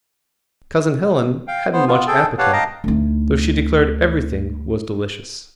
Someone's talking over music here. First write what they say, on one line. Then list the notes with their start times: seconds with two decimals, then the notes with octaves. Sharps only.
Cousin Helen hadn't much appetite, though she declared everything was delicious.
1.48 F5 G5
1.73 B3 C5
1.88 B3 F4
2.07 G#4 A4 G5 A5
2.38 G4 B4 C#5 F5 F#5 A5
2.53 D#5 F5 G5 A5 A#5
2.84 D2 D#4